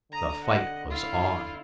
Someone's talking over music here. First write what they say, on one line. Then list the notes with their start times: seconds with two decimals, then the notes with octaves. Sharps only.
The fight was on!
0.12 D3 A#5 D#6
0.43 D#5 F#5
0.90 E4 F4 F5